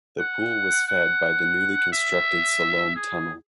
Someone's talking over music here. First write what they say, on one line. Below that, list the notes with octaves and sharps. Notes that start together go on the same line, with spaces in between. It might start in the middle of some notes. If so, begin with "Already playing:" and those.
The pool was fed by the newly constructed Siloam tunnel.
F#5
F#5
E5
G#4